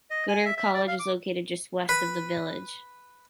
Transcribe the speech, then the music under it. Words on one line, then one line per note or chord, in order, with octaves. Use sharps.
Goddard College is located just west of the village.
D#5
G#5
E5
E5
D5
F5
D6
B4